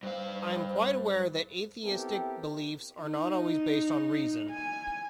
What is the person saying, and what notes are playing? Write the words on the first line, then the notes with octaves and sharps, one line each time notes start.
I am quite aware that atheistic beliefs are not always based on reason.
G2 C5 F5
B3 C4 E4 G4 A4 A#4
D#4
G#5